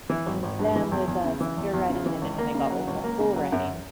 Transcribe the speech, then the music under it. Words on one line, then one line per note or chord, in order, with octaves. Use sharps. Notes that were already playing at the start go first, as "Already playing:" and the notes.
and them with, uh, steer riding, and then when they got old enough, bull riding
E3
G#1
G#1
G2
E3
E2
E2
C#3
E3
E2
E2
C#3
E3
C#2
A#3
C#3
F#3
C#2
A#3
C#3
F#3
F#2